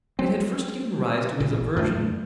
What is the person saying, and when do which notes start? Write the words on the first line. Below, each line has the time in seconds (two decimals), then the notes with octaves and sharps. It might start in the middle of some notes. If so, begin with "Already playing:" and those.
It had first given rise to his aversion.
0.19 F#3 C4
1.40 A1 A#2
1.76 F#2 D3 A3